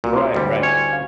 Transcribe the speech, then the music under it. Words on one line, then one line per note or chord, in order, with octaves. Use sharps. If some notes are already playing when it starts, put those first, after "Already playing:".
Right, right.
C2 A#2 A#3 F#4
E4 C6
D2 G3
C#4 C#5
F5